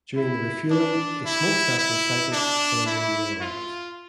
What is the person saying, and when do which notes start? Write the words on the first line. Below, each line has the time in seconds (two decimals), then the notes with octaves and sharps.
During the refueling, a smokestack was sighted, sounding the alarms.
0.16 E4
0.70 D4
1.25 E4
1.78 E4
2.33 D4
2.86 E4
3.41 F4